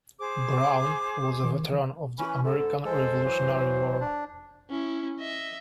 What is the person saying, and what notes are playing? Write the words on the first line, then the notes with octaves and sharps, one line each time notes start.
Brown was a veteran of the American Revolutionary War.
G#4 C5 D6
E3 C#4 B5
G#2 D3 A4
G#3 A4 C5
E3 F#3
D4
C#4 E4
D#5 E5